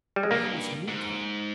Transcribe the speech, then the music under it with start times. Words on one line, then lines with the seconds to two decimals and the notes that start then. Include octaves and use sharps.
Where was Miko?
0.16 G3
0.23 G#3
0.31 G2 A#3
0.88 G#2